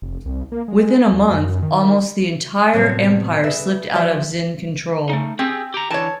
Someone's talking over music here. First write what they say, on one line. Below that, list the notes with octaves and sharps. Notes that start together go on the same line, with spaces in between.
Within a month, almost the entire empire slipped out of Xin control.
F1
C2
A#3
G#3
B3
D#2
F#2
D#3
A2 C3 F#3 G3 B3
G#4 B4 E5
E3 F3 F#4 G4 D5 E5
A3 D#4
C4 G4 G#4
G4 A#5
D3 E3 C#5 A5